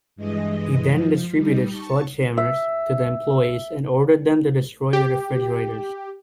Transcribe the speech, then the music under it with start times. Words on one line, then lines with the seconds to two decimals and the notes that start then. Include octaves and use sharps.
He then distributed sledgehammers to the employees and ordered them to destroy the refrigerators.
0.16 G2 E3 G#3 D#5
0.91 F3
1.33 G3 D#4
1.71 A5 C#6
2.37 E5
4.93 G4